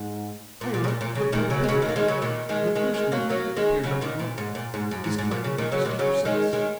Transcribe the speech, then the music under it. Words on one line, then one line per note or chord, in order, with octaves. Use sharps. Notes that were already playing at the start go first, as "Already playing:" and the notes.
Higher up, the protopitheca--the first monkey that appeared on the globe--is climbing up the steep ascents.
Already playing: G#2
A#2
A#2
C#3
A#2
A#2
C#3
A#2 D#3
C#3 F#3
G#3
C#3 F#3
D#3 G#3
A#3
D#3 G#3
C#3 F#3
A#2 D#3
D#3 G#3
D#3 G#3
D#3 G#3
F#3 A#3
F#3 A#3
D#3 G#3
C#3 F#3
A#2 D#3
A#2
G#2
A#2
G#2
F#2
G#2
G#2
A#2
C#3
A#2 D#3
C#3 F#3
A#2 D#3
C#3 F#3
D#3 G#3
D#3 G#3